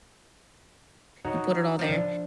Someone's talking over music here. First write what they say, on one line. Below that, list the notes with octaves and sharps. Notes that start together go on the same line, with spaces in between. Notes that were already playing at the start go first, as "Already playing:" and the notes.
you put it all there,
D#4 F#4 C#5
F3 D4